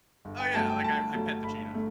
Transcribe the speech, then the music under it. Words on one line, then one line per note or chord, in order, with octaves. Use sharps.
Oh yeah, like I I pet the cheetah.
G1
G5
G2 F#3 A3 A5
G5
G1 A5
G2 F#3 A3
G1 B5
A3